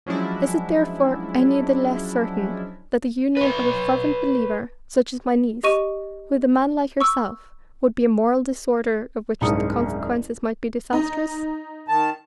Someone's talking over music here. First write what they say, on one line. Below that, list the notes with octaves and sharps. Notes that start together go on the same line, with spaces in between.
Is it therefore any the less certain that the union of a fervent believer, such as my niece, with a man like yourself would be a moral disorder of which the consequences might be disastrous?
F3 F#3 G#3 C#4 D4 E4
B4 C#5
G4 D#5 C#6 D#7
C#6 E6
F#1 C2 G#2 D4 D#6 C#7
D#4
D#3 A5